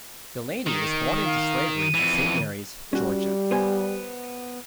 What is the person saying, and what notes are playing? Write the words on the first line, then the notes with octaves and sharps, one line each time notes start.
Delany was born into slavery in Saint Mary's, Georgia.
D#3
F5
D#7
F2 E3
G3 C#4 F#4
B3 C5 G#5